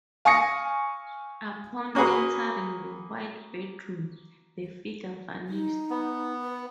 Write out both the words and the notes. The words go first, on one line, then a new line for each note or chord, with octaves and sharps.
Upon entering the White Bedroom the figure vanished.
F5 G#5 C#6 D#6 A#6 C#7
A#3 C#4 F#4 G#4 B4
D#4
B3
B4